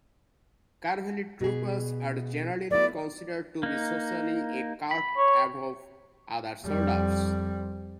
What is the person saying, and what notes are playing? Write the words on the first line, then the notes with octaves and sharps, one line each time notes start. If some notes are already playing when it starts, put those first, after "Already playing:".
Cavalry Troopers are generally considered to be socially a cut above other soldiers.
B2 G#4
A3 B3 E4 D5
A#3 D#4
B5
C#5
F2 G3